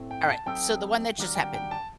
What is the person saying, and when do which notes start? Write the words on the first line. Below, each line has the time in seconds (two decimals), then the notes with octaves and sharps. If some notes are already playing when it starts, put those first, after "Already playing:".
Alright, so the one that just happened.
Already playing: A2 A3 C4
0.11 G5
0.29 A5
0.46 F#3 C4 D#4 A4 G5
1.18 D#3 G3 D4 F#4 A#4
1.35 G5
1.54 G5
1.71 A5